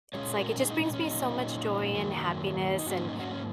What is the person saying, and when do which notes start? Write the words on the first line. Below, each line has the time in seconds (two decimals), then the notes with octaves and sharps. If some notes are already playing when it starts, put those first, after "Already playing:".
it's, like, it just brings me so much joy and happiness. And,
0.14 A#2 G#3 C#4 G#4 C#5
0.37 F#4 A#4
0.59 D#4 G#4
0.71 D#4
0.82 D#4
0.93 C#4
1.04 A#2 F#3 C#4 D#4
1.95 F#2 D#3 F#3 A#3
2.79 D#4
2.86 G#2 F#3 A#3 C#4 F#4
2.97 D#4
3.08 D#4
3.19 C#4 F#4
3.31 C#4